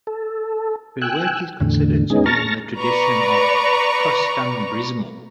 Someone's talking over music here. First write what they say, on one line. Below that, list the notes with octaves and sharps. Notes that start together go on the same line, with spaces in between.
Her work is considered to be in the tradition of "costumbrismo".
A4
G5 G#5 E6 F#6
E2 A2 D3
G#3 B3 C#4 D#4 G#4
A5 A#5 C#6 F6 A6 A#6
B4 D5 A#5 C#6